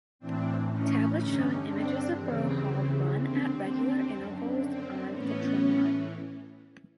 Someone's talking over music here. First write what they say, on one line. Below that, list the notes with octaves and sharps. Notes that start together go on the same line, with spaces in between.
Tablets showing images of Borough Hall run at regular intervals on the trim line.
A2 E3 C4 D4
C#4 D#4
G2 D3 C#4 D#4
C4 D4
D#2 C#3 E3 C4
D#2 D3 C4
F#2 D3
C4
A2 E3 B3 C#4